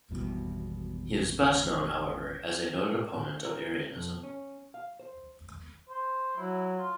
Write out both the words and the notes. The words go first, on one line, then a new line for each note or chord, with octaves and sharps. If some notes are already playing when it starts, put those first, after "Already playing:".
He is best known, however, as a noted opponent of Arianism.
G#1 E2 B2 G3
A2
D4
A#4
F2
C#4
F5
C5
C5
F#3 E4
F4